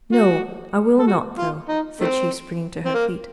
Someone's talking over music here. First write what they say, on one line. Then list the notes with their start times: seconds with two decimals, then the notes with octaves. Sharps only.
No, I will not, though,' said she, springing to her feet.
0.12 F#4
0.99 A4
1.07 F#4
1.38 F4
1.69 D#4
2.00 D#3 A3 C4
2.85 C4
2.94 A#3